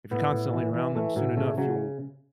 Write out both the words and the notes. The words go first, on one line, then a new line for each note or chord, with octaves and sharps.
if you're constantly around them, soon enough you'll
A2 B3
A2
E3
E3
E3 A3
A2 F#3
C#3 A3
C#3 F#3